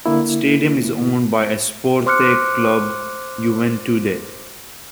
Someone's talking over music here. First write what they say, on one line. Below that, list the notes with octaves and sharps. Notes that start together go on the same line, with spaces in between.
The stadium is owned by Esporte Clube Juventude.
D3 A#3 E4
C5 C6 D6 F6 F#6 C#7